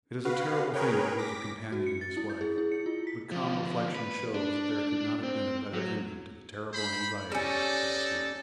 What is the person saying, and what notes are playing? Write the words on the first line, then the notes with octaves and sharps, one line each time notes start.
It is a terrible thing to lose a companion in this way, but calm reflection shows that there could not have been a better ending to the terrible anxieties of the past week.
F#4 B4 F5
G#4 A#4 B4 C#5 G5
D6 A#6 B6
F#4
C#7
A6
E4
G6
G#4
E4
C#7
F4
B6
D2 F3
B4
D4
C4
F#3
C5 B5
G3 C#4 D#4 A4 D5